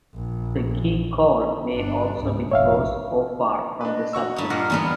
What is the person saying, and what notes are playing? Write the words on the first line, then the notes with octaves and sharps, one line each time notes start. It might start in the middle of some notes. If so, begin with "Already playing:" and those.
The key col may also be close or far from the subject peak.
A#1
G1 D4
C#2 G#2
F1 A#1 C#5 E5 F5
D4 B4 D#5
F#4 C#6 E6
G2 D#4
A#2 A#3 F#5 F6 A#6
G#1 E2 D3 G3 B3